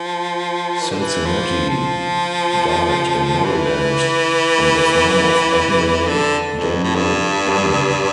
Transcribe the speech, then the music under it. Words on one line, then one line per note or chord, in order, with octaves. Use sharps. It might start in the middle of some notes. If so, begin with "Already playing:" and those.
Cincinnati died in Maryland on the farm of Admiral Daniel Ammen.
Already playing: F3
E3
D3
E3
F3
F3
E3
D3
F2
A2
G2